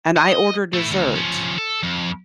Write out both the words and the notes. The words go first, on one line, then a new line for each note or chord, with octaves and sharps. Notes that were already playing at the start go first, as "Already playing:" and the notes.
and I order dessert
D#5
A3 E4
D2
F3 C#4
A4
F2